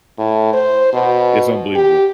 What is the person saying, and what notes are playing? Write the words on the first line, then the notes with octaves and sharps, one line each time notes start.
it's unbelievable,
A2
C5
B2
G4